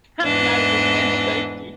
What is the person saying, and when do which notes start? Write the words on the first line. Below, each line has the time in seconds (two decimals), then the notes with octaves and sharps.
I'm not a big fan of turkey.
0.22 E2 G#2 E3 D4 D#5